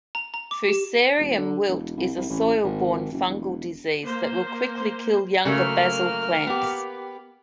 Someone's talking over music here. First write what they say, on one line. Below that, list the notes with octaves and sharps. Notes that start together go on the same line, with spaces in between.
Fusarium wilt is a soil-borne fungal disease that will quickly kill younger basil plants.
A#5
A#5
D6
G4
E1
D3
E1
C2
C2
A1
G#1
F#1
E1
A#3 C5
C#3 F#3 A3 A#3 F6
B3 G4